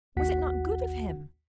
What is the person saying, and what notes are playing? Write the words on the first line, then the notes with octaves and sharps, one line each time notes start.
Was it not good of him?'
A1 D#2 F#4 F#5 B6